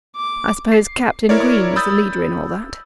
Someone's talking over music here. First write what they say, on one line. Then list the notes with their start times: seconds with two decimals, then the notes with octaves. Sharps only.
"I suppose Captain Green was the leader in all that?"
0.16 D6
0.72 C7
1.29 E4 A#4 C#5 D5
1.76 B5 D#6 E6 G6 A6